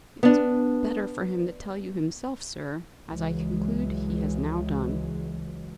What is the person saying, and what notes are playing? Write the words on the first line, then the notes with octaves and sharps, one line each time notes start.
"It was better for him to tell you himself, sir; as I conclude he has now done."
B3 D4
C#2 E3 F#3 G#3